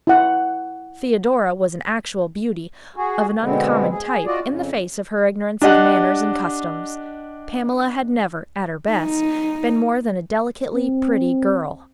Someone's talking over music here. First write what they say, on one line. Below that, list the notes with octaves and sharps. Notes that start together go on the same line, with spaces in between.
Theodora was an actual beauty, of an uncommon type, in the face of her ignorance of manners and customs. Pamela had never, at her best, been more than a delicately pretty girl.
E4 F#5
F#4 G#4
B2 D3 G#3 B3 C4
G#4
F4 F#4 D5 D#5
F2 C#3
D4 G4 D#5 F#5 F#6
D#4
C4